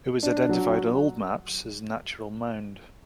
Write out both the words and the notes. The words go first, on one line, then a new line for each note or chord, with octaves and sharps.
It was identified on old maps as "Natural Mound".
D4
F#3 F#4